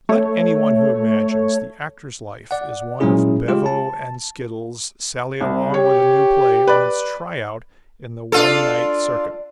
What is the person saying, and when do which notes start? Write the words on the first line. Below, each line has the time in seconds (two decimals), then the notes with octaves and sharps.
Let any one who imagines the actor's life is one of bevo and skittles sally along with a new play on its try-out in the one-night circuit.
0.09 A3 C#5
2.51 D5 F#5
3.00 A#2 F#3 G#3 C#4 E4 G#4
3.48 G#3 F4 G4
3.66 A5
5.41 C2
5.74 G4 C#5
6.67 B4 D5
8.32 D4 F4 A4